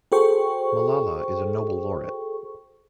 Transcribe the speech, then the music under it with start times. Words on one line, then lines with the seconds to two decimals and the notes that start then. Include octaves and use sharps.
Malala is a Nobel laureate.
0.12 F#4 G#4 A4 C5 G5 C#6